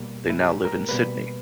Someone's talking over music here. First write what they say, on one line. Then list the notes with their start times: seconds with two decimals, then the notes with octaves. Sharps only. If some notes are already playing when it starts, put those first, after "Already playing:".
They now live in Sydney.
Already playing: B2 G3 A#3
0.30 E4
0.40 G4
0.65 A#4
0.89 B2 G3 A#3 B4